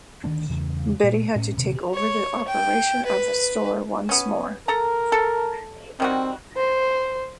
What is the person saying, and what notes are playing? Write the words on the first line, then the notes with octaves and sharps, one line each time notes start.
Betty had to take over the operation of the store once more.
D2 D#3 B3 D4
E2 G2 C#3
A#2
A2 C#4
D#1 C3
C#5
G5
B4
B3 C#4
A4 A#4 A#5
A4
D#3 G3 C4 F#4
C5